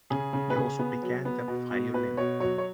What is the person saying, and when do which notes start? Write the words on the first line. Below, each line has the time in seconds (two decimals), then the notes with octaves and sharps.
He also began the violin.
0.10 C#3 G#4
0.33 C#3
0.50 B4
0.56 C#3 G#4
0.79 B3
1.02 F#3
1.25 B3
1.48 B2
1.71 B2
1.94 B2 B4
2.17 B2 C#5
2.40 F#3 C#5
2.58 C#5